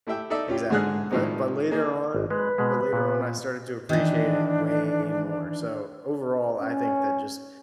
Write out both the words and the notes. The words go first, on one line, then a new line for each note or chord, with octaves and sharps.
Exactly, but but later on but later on, I started to appreciate it way more, so, overall, I think that just
A3 E4 G4 E5 G5
D#4 A4 D5 E5
C#4 F4 G4
G#2 D3 G#3 G#4 F6 F#6
A2 D#3 F3 G#3 D4 D#4
A#3 G#4 D#5
G#1
G#3 B4
B2 G#3
A#2 B3
D#3 E3 D4
C#4